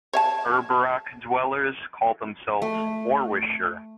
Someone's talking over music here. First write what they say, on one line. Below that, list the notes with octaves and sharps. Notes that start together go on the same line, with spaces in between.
Urberach dwellers call themselves "Orwischer".
C#5 E5 A5
A3